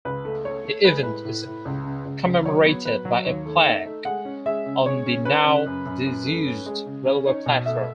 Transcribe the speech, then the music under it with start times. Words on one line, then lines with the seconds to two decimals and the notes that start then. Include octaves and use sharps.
The event is commemorated by a plaque on the now disused railway platform.
0.05 C#2 B4
0.25 A3
0.45 A3 C#5
0.65 A3
0.84 G#3 B4
1.03 A2 B4
1.25 A2
1.45 A2
1.65 C#2
1.85 C#3
2.05 C#2
2.25 C#2
2.45 F#3 C#5
2.65 B3
2.85 F#3 B4
3.05 F#3
3.25 D#2 C#5
3.46 A3
3.65 D#4 E5
3.85 A3
4.05 G#3 F#5
4.25 C#4
4.46 G#3 E5
4.66 C#3
4.86 G#3 C#5
5.06 C#4
5.25 C#4 B4
5.46 C#3
5.66 F#2
5.86 F#2
6.06 F#2
6.26 A3
6.46 C#4
6.66 G#3
6.86 C#3
7.06 C#4
7.26 D#4 C#5
7.46 B2
7.66 A3 E5